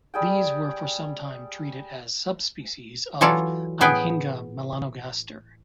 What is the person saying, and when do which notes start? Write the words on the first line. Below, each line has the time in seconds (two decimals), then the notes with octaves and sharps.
These were for sometime treated as subspecies of "Anhinga melanogaster".
0.14 G3 G#4 G5
3.21 E3 F#3 F4 A4 C#5 D5
3.81 A2 B3 G#4 B4 G5